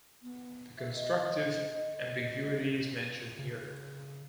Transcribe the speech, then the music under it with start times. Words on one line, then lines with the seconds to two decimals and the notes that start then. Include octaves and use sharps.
The constructive ambiguity is mentioned here.
0.22 B3
0.78 E5
0.95 D#5
3.39 C#3